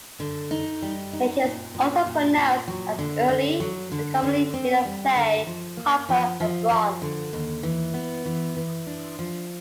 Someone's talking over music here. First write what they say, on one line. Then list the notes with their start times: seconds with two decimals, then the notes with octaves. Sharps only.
It is also pronounced as Urli and commonly made of clay, copper and bronze.
0.20 D3
0.51 D#4
0.82 G3
1.13 D#4
1.44 A#2
1.75 A#2
2.06 A#2
2.37 A#2
2.68 F#3
2.99 D3
3.29 D3
3.60 F#3
3.92 D3
4.23 D3
4.54 C4
4.85 G3
5.16 D3
5.47 F3
5.77 A#3
6.09 F3
6.40 F3
6.71 F3
7.02 D3
7.33 D#2
7.63 E3
7.94 B3
8.26 E3
8.57 E3
8.87 D4
9.19 F3